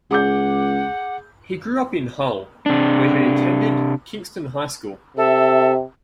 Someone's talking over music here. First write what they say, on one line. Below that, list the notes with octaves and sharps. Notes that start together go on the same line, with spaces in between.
He grew up in Hull where he attended Kingston High School.
C#2 G#4 F#5 D6 G6
C3 D4
C3 A4 E5